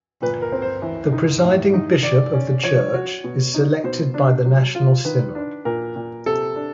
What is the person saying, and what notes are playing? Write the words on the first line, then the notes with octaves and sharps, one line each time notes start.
The presiding bishop of the church is selected by the national synod.
A#2 B4
A#4
C4
C5
E3
D#4
A2
D#4
D#3 D5
C#4
F3 C#5
F#4
B2
D#4
B2 C5
D4
F#3
F4
D#3 B4
D4
A#2 A#4
A#2
C3 A4
D4